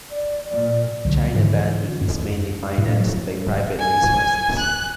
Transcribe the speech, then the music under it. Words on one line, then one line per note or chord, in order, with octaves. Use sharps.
China Bandy is mainly financed by private resources.
D5
A#2 D5
C2 D3 F#3
G#2 D3 E3
F#2
A2
F#3
G#5
F#6